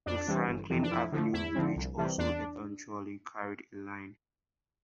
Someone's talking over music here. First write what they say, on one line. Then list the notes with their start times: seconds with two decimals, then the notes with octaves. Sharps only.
The Franklin Avenue Bridge also eventually carried a line.
0.06 F2 D4
0.27 C3 E3 G3
0.48 G1
0.70 F2 C3 E3
0.82 D4
0.91 F2 E4
1.12 D3 F3 A3
1.33 E2 E4
1.55 D3 F3 C4
1.76 C2
1.97 C3 E3 G3
2.18 E2 D4